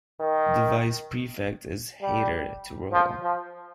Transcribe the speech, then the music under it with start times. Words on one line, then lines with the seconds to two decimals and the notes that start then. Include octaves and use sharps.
The Vice-Prefect is Heitor Turolla.
0.20 D#3
2.02 G3
2.93 F3
3.23 F3